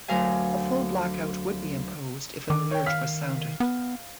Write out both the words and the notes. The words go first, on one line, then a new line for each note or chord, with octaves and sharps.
A full Blackout would be imposed if an alert was sounded.
D2 F#3 A#4 F5 G#5
D#3 D6
C#5 G5
F5 F6 B6
B3